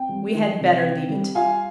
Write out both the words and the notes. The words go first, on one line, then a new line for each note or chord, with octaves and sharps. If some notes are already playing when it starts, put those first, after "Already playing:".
We had better leave it.
Already playing: C4 G5
G3
D#3
C3
C4
G3
F4 F5 G#5